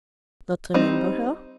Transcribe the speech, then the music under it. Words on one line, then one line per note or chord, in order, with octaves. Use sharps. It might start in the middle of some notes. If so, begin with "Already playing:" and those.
Not remember her?
G3 C4 D#4